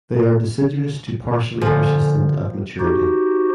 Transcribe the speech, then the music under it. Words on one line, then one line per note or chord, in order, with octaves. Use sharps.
They are deciduous to partially persistent at maturity.
A#2 D3 F3 A#3 A4 G#5
D#4 F#4 G4 C5